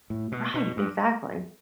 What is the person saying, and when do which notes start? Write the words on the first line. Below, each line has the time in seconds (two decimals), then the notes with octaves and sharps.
Right, exactly.
0.10 A2
0.32 B2
0.54 B2
0.77 G2